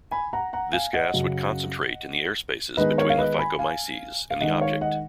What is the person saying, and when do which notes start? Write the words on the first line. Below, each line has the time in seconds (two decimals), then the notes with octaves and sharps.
This gas would concentrate in the airspace between the "Phycomyces" and the object.
0.11 G#5 B5
0.33 F#5 A#5
0.53 F#5 A#5
0.73 F5 G#5
0.93 D#5 F#5
1.14 F#2 C#3 F#3
2.77 D#3 G#3 B3 D#4 B4 D#5
2.97 A#4 C#5
3.10 F5
3.18 B4 D#5
3.39 G#5 B5
3.59 F5 G#5
4.30 F5
4.41 D#3 G#3 D#4 D#5 F#5
4.61 C#5 F5
4.81 D#5 F#5